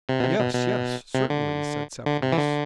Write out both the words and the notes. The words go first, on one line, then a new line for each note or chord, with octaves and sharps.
"Yes, yes, certainly," said Septimus.
C3
B2
C3
B2
B2
C3
D3
D3
C3
E3
D3